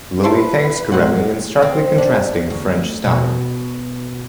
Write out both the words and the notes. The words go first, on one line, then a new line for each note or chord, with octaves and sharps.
Lully thanks Corelli in starkly contrasting French style.
E4 A4 B4 C5
A#2 G#3 C4 F#5
C4
D4
D2
B2